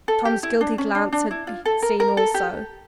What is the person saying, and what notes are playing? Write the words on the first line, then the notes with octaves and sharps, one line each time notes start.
Tom's guilty glance had seen also.
A4
G4
E4
D4
C#4
D4
D4
E4
F4
A4
A#4
A#4
A4
G4